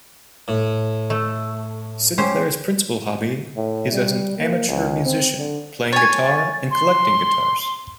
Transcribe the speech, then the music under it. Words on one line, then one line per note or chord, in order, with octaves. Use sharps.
Sinclair's principal hobby is as an amateur musician playing guitar and collecting guitars.
A2
A3
C#4 G4 C5
A2
G3
A#3
C#2
C4
D3
C#5 G#5 A6
C6